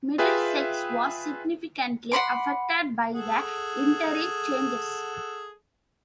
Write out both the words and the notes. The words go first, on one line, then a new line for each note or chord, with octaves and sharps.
Middlesex was significantly affected by the interim changes.
F4 G#4 B4 E5 G5
F#5 B5 C6 D6
G#4 A4 F#5